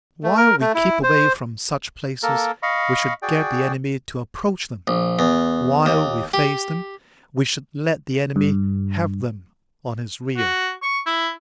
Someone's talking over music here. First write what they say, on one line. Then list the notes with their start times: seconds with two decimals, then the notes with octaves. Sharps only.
While we keep away from such places, we should get the enemy to approach them; while we face them, we should let the enemy have them on his rear.
0.24 A3
0.37 A#4
0.61 A3
0.75 E4
1.03 C5
2.23 A#3 A4 A#4
2.63 D#5 F5 B5 C#6
3.22 F#4 G#4 D5 G5
4.88 A#1
5.19 E2
5.86 D#2
6.34 G4
8.36 G2
10.37 F#4
10.83 C#6
11.06 E4